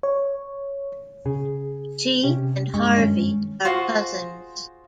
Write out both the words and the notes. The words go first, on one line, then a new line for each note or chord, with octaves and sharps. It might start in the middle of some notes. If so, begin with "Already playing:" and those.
She and Harvey are cousins.
C#5
C#3 G#4
C3 C#4 G4
G2 G#3 C#6
F#2 D#3 C#4
F4 F#4 G#4 C5